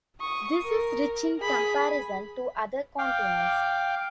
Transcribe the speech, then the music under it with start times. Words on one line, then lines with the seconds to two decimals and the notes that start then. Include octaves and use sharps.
This is rich in comparison to other continents.
0.21 C#6 D#6
0.64 A#4
1.40 G#4 B5
2.99 F5 G5 D6